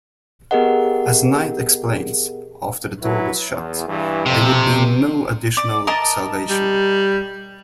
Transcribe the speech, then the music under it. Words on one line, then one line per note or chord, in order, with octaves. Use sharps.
As Knight explains, After the door was shut, there would be no additional salvation.
B3 G4 G#4 A#4 D#5 F#5
F#3 E4 B4
E2
G2 E3
F2 C3
D5
A#4 D#5 A5
G3